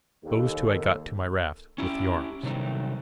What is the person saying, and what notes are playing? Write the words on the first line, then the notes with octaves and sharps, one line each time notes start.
Those two I got to my raft, with the arms.
D#2 A4
C#4 E4 F#4 G4
C3 D#3 F#3 G3 A3